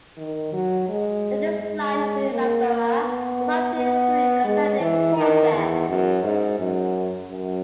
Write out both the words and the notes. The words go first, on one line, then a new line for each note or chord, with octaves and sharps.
The design of the Imambara was obtained through a competitive process.
D#3
F#3
G#3
G#3
A#3
A#3
B3
B3
G#3
E3
D#3
E2
F#2
G#2
F#2
F#2